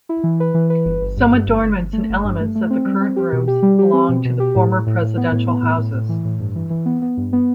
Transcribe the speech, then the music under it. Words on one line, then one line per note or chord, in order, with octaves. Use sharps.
Some adornments and elements of the current rooms belonged to the former presidential houses.
E4
E3
B4
E3
B4
G1
G1
G2
G2
G1
G1
G1
A3
G1
G2
A3
A3
C4
G3
C4
G4
B2
G4
G3
G4
C4
B2
B2
G4
A2
A2
A2
A2
B3
A2
B3
A2
A2
A2
E3
A2
G2
E3
E3
B3
B3
G2
B3